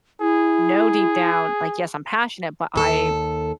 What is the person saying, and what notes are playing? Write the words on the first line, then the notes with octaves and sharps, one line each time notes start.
know deep down, like, "Yes, I'm passionate, but I
E4 G#4
D#2 A4